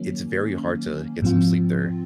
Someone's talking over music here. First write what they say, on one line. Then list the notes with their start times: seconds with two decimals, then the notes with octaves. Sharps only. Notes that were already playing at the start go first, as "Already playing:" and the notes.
it's very hard to get some sleep there.
Already playing: D#3 F#3 A#3 C#4
1.22 G#2 F3 C4 F4